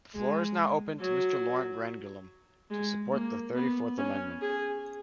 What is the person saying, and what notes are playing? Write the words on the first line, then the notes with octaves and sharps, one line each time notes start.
The floor is now open to Mr. Laurent Grandguillaume, to support the thirty-fourth amendment.
G#3
F#3
G#3
A#3
B3
C#4
G#4